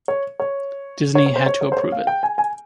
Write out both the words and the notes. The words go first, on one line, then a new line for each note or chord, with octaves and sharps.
Disney had to approve it.
C#5
C#5
C#5
C#5
C5
C#5
C#5
C5
C#5
F5
G5
G#5
G#5